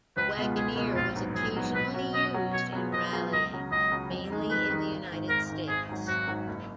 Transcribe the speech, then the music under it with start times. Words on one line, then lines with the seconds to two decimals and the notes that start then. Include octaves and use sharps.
The Wagoneer was occasionally used in rallying, mainly in the United States.
0.17 C#2 B4
0.37 B2 G#3 B3 F4
0.56 C#2 G#4
0.76 B2 G#3 B3 F4
0.95 A#1 F4
1.15 G#2 F#3 B3
1.35 A#1 G#4
1.55 G#2 F#3 B3
1.75 B2 B4
1.94 F#3 C#4 F#4
2.14 B2 D#5
2.34 F#3 C#4 F#4
2.53 B2 C#5
2.73 F#3 B3 F4 G#4
2.93 B2 D#5
3.12 F#3 B3 F4 G#4
3.32 C#2 D#5
3.52 C#3 F#3
3.71 C#2 D#5
3.92 C#3 F#3
4.11 F2
4.30 D#3 G#3 D#4
4.50 F2 B4
4.70 D#3 G#3 D#4
4.91 G#1
5.10 G#2 D#3
5.29 G#1 A#4
5.50 G#2 D#3
5.68 G#1 G#4
5.89 G#2 F#3
6.08 G#1 F#4
6.27 G#2 F#3
6.48 F#1